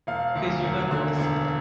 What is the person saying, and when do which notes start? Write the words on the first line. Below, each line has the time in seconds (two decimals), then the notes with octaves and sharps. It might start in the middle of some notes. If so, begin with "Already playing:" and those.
'cause you're gonna miss that.
0.07 E1 F5
0.35 D2
0.63 E1
0.91 D3
1.18 E1